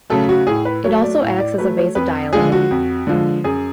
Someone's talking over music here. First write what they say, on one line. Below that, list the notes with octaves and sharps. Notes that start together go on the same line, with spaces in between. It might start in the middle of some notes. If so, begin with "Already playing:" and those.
It also acts as a vasodilator.
C#3 F#3 A3 A4
F#4
A2 G#4
B4
F#3 A3 C#5
D5
A2 F5
D5
F#3 A3 B4
C#5
F2 B4
D3 F3 G#3 G#4
F#4
F2
D3 F3 G#3
F#2 G#4